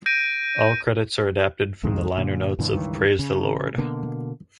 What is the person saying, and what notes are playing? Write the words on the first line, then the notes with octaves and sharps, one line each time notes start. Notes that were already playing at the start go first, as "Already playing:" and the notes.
All credits are adapted from the liner notes of "Praise the Lord".
G6 A#6 D7 D#7
C2 F2 D#3 G#3
A#2 D3
F#2 A#2 D3 E3
C#2 G2 D#3 E3
C#3
B2 D3 A#3